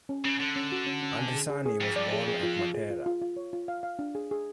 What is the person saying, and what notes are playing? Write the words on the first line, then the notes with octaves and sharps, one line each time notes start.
Andrisani was born at Matera.
C#4
C#3 C#4
D3 C#4
C#4
F#4
C#4
C#4
G#5
G#4
G#4
G#4
F2 G#4
D5
G#4
G#4
F4
F4
G#4
F4
F4
F4
C#5
F4
F5
F5
D4
G#4
G#4